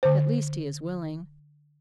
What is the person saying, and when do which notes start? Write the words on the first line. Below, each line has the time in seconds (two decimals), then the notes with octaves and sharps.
At least he is willing.
0.03 D3 C5